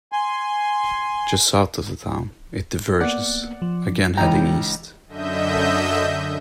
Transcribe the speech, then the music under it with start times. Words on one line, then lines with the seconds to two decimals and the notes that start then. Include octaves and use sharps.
Just south of the town, it diverges, again heading east.
0.12 G#5 C6
3.01 A#3 B3 D5 F#5
3.62 F3
4.17 C#2 E3 D#4 G5 A#5
5.07 F#2 D3 D#5 E5 G6